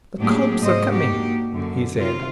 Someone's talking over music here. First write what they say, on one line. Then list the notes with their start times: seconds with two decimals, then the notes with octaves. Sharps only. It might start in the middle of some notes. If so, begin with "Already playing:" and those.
'The cobs are coming!' he said.
0.19 A2 F#3 A#3 D4 G4 G#4
0.59 G#2 C3 G#3 C5 D#5
0.92 A#3 D4 D#4 F#4 G4
1.51 F#2 D3
1.96 C3 D#3 F4